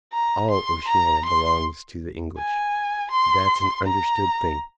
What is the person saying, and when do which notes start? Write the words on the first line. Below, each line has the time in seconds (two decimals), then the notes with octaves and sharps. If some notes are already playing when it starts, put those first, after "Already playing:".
All Oceanica belongs to the English. That's an understood thing.
0.13 A#5
0.50 C6
0.88 A#5
1.25 C6
2.38 G#5
3.11 C6
3.86 A#5